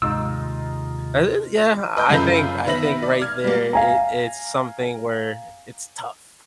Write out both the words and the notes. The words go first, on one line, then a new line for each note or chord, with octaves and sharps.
I th yeah, I think I think right there, it it's something where it's tough.
D#2 G#2 C3 D#4 F4 E6
B4 D#5 G6
F#2 C#3 F4 A4 B4 G6
D#3 B3 B4 E5 A#6 F#7
D5
F6 G#6
G3 A#3
F5 G#5 A#5